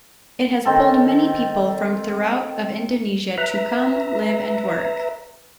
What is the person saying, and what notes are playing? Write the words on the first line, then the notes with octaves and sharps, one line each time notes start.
It has pulled many people from throughout of Indonesia to come, live and work.
D#3 C4 A4
B4 E5 A#5